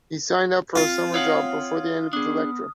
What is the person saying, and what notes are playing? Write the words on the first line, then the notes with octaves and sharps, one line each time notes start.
He signed up for a summer job before the end of the lecture.
C4 F4 F6
C#5 F5 F#5 D#6 F6
B3 D4 G#4 D#6